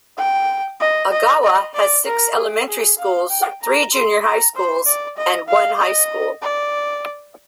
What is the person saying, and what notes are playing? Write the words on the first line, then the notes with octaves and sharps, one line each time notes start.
Ogawa has six elementary schools, three junior high schools, and one high school.
G5
D#5
D#5
D#5
D5
A#4
G#4
G#4
F5
G5
A#5
C6
A#5
C5
D5
D#5
F5
D#5
D5